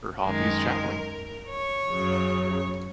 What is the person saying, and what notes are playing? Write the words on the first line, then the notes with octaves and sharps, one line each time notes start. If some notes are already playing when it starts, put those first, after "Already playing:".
Her hobby is travelling.
F#2 D#3 G#3 A#4
C#5
F#2 C#3 F#3